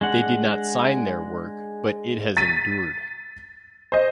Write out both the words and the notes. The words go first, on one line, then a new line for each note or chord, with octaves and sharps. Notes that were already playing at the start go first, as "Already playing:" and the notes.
They did not sign their work, but it has endured.
G#3 D4 F#5
A6 B6 D#7
C5 D#5